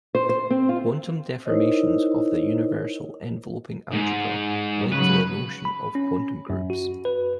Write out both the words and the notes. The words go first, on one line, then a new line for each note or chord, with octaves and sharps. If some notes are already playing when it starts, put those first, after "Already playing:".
Quantum deformations of the universal enveloping algebra lead to the notion of quantum groups.
C5
C5
C4
F4
D#4 E4 A#4 C5 C#5 D#5
G#2
C#3 F#3 B4
B5
C#4
F#2
F#4
B4